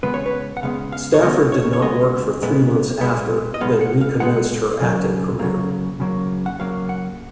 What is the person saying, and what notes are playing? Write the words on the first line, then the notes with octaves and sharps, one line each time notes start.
Stafford did not work for three months after then re-commenced her acting career.
C#3 G#3 B3 B4
C#5
B4
F#5
C#3 G#3 B3 F5
F5
C#5
C#3 G#3 B3 D#5
C#5
C#5
C#3 G#3 B3 D#5
A#2 G#3 B3
A#2 G#3 B3
D#5
A#2 G#3 B3 F5
F#5
F5
A#2 G#3 B3 F#5
C#3 F#3 A#3
C#3 F#3 A#3
C#3 F#3 A#3
F#5
C#3 F#3 A#3 F5
F#5